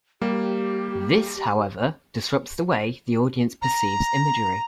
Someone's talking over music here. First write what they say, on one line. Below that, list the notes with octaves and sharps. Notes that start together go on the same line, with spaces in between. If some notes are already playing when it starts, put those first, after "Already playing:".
This, however, disrupts the way the audience perceives imagery.
G3 A#3 G4
A#5